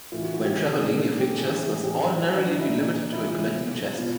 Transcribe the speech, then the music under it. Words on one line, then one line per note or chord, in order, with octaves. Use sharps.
When travelling your fixtures must ordinarily be limited to a collecting-chest.
A2 E3 F4
F#4
F4
G4
C3 D#3 G#4
G#4
A#2 A4
G4
G#4
A2 E3 G#4
G#4
A2 E3 G4
A2 E3 F#4
D4
D#4
E4
A#2 D#4
C3 E3 E4
F4
E4
B2
B2 F4